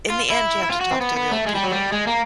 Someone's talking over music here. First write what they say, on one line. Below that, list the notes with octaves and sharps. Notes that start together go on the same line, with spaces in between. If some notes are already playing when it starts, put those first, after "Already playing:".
in the end, you have to talk to real people.
F4
E4
E4
F4
F#4
C4
B3
B3
A3
G#3
G3
F#3
G3
G#3
A#3